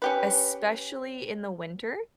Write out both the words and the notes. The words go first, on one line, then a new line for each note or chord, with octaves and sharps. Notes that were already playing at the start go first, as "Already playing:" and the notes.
especially in the winter,
C#4 G4 B4